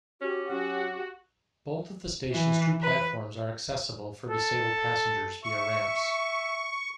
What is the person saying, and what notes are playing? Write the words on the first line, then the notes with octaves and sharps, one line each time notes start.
Both of the station's two platforms are accessible for disabled passengers via ramps.
C#4 F#4 G4
F#3 C#4 F#4
E3
B4
A4
E5 C#6